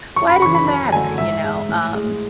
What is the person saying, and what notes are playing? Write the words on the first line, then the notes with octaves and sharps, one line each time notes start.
why does it matter?" you know? Um,
F#2 C#6
B5
C#3 E3 C#6
B5
F#2 B5
D3 F#3 A3 G#5
G#2 E5
G#3
A2
G#3